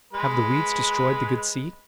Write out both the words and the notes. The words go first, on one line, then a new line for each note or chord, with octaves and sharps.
"Have the weeds destroyed the good seed?"
G#3 B4